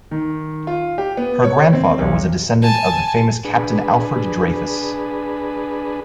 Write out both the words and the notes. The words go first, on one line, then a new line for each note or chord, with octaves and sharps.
Her grandfather was a descendant of the famous Captain Alfred Dreyfus.
D#3
F4
G4
B3
C#5
C4
B1
G#5 A5
D4 G#4 B4